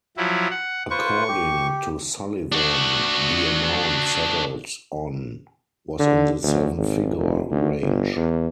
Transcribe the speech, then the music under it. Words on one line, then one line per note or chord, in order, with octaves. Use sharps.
According to Sullivan, the amount settled on was in the seven-figure range.
F3 F#3 E4
F#5
F4 B4 C5 C#6
G4
D4 F#4
D3
D2
G#1
F1
D2
G1
E2